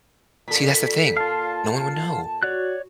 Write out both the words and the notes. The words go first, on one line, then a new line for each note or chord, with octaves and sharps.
See, that's the thing. No one would know.
A#2 A4 B6
F4 F5 A5
F#4 C#5 D5 F#6